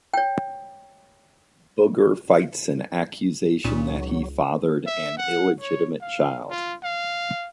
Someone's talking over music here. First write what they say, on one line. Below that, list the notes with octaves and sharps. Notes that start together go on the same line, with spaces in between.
Booger fights an accusation that he fathered an illegitimate child.
C#5 G5
C#2 A#2 C#4 D#4
F#3
E5
F#5
C#5
F5
F4
F5